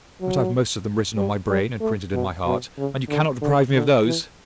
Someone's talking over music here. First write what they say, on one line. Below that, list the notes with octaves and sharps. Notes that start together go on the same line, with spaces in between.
But I've most of them written on my brain and printed in my heart, and you cannot deprive me of those!'
F#3
G3
G3
A3
B2
B2
C#3
D3
D3
D3
E3